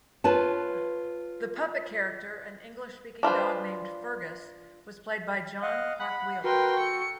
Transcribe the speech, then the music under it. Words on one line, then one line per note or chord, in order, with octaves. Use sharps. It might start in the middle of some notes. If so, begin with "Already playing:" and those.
The puppet-character, an English-speaking dog named Fergus, was played by Jon Park-Wheeler.
F4 B4 C#5 A5
D4 F4 B4 C5
D#5 F5 F#5
F#5 B5
F#4 A#4 B4 G5 C6
A4 C#7